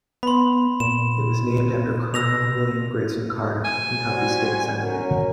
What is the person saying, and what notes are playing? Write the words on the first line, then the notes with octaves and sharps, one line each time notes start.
It was named after Colonel William Grayson Carter, a Kentucky state Senator.
B3 B5 C6
A#2 E7
E6 A#6 F7
G#5
G3 C4 F#4
F#3 C#4 A#4